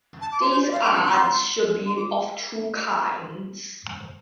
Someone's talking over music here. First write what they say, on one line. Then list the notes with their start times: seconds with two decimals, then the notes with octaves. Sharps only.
These ards should be of two kinds.
0.20 A5
0.31 D6
0.40 C6
0.51 C5
0.62 D5
0.71 F5
0.82 G5
0.93 A5
1.02 C6
1.85 C6
1.96 D6